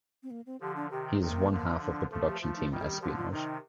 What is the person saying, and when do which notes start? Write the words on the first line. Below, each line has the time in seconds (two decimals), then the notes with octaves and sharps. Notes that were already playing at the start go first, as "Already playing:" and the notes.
He is one half of the production team Espionage.
0.23 C4
0.31 A#3
0.46 C4
0.61 D3 F3 G4
0.76 D4
0.91 C3 D#3 G4
1.21 C3 D#3 A#3
1.51 D3 F3
1.81 D4
2.11 F3 A3 A4
2.26 G4
2.41 F3 A3 F4
2.56 D#4
2.71 D#3 G3 F4
2.81 A4
2.87 G4
3.01 D3 F3 G4
3.17 F4
3.31 C3 D#3 D#4